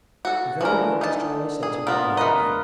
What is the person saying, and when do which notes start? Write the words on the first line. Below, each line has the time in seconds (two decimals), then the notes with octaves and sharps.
The very words as Charley said to me the other night.
0.25 F#4 A4
0.61 D3 E3 F3 A3 A#4
1.01 D#4 A5
1.63 G#4
1.87 B3 F4 A#4
2.17 A3 F4 A#4 B4 D#5